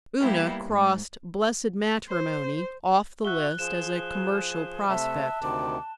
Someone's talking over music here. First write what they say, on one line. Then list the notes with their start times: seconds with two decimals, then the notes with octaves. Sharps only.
Una crossed blessed matrimony off the list as a commercial prospect.
0.19 G3 A#3 B3 E4 G4
0.66 G#2
2.09 C5
3.25 F#4 E5 F#6 G7
3.59 F3 G#4 E7
4.88 C3 A3 E5 A5
5.42 D2 C3 D#3 D6